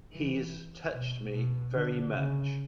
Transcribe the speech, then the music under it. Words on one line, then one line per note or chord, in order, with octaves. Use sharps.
He's touched me very much.
E3
B2
B2
D3
C#3